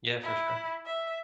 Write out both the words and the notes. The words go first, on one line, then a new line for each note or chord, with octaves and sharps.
Yeah, for sure.
E4
E5